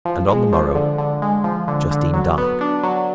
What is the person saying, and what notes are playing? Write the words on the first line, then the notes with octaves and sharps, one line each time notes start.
And on the morrow Justine died.
F3
G#3
F3
D3
D3
G#3
F3
D3
D3
F#3
B3
D4
F#3